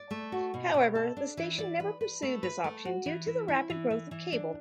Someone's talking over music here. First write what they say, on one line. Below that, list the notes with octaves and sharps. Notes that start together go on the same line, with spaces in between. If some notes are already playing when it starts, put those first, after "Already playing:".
However, the station never pursued this option due to the rapid growth of cable.
Already playing: D5
A3
F#4
B2
B2
A4
D4
E3
D5
B4
B4
A3
B4
A3
F#4
E3
E4
E4
E3
E3
E3
D4